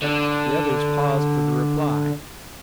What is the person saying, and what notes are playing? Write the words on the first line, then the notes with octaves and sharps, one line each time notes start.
The others paused for the reply.
D3 D4